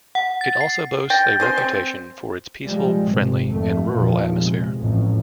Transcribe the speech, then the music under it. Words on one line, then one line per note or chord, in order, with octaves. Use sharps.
It also boasts a reputation for its peaceful, friendly, and rural atmosphere.
F#5
A6
C7
G5 G6 A6 A#6
C4 G#4 C5
C4
F3 G3 G#3
G#1 C3
G#1 F2 A3
E2 A#2 D#3 F3
C3 G#3
A1 F2 A2